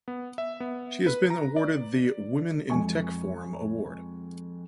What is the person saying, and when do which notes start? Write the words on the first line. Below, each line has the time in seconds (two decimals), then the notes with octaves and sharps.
She has been awarded the "Women in Tech forum" award.
0.08 B3
0.38 E5
0.60 B3
1.06 B4
1.30 A#5
1.56 D5
2.70 F2 G#3 G#5 C#6